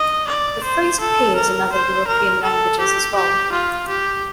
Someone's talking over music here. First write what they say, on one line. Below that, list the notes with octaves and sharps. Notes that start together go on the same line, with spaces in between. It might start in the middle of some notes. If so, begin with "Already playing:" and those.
The phrase appears in other European languages as well.
Already playing: D#5
D5
C5
A4
A#4
C5
A#4
A4
G4
G4
F4
G4